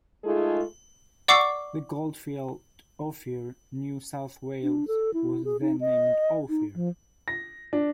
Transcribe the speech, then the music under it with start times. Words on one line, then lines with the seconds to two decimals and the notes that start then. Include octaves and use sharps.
The goldfield, Ophir, New South Wales, was then named Ophir.
0.24 G#3 A3 D#4 F4 G#4 A4
1.28 D5 F#5 C#6 D6 E6 C7
4.63 D4
4.87 A4
5.14 E4
5.45 G#4
5.61 D#4
5.80 D#5
6.49 D#4
6.75 F3
7.28 A#6
7.73 D4